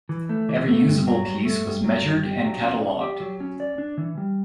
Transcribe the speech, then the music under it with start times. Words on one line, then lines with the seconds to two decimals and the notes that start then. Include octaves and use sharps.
Every usable piece was measured and catalogued.
0.09 E3
0.29 A3
0.49 E3
0.68 A3
0.88 G2
1.07 F#3
1.27 G2
1.45 A3
1.66 G2
1.84 F#3
2.03 G2
2.24 G4
2.43 F#3
2.62 C#4
2.81 D5
3.01 G4
3.20 F#3
3.40 C#4
3.60 D5
3.78 D4
3.98 E3
4.18 G3